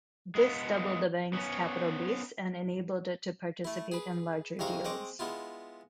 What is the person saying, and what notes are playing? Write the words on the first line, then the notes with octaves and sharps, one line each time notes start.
This doubled the bank's capital base and enabled it to participate in larger deals.
G#3 B3
B3 C#4
A3 E4
G#4 B4
C2 F2 G#3 A#4 F5 C#6
G#3 C4 D#5 C#6 D6
G#3 B3 E4 F4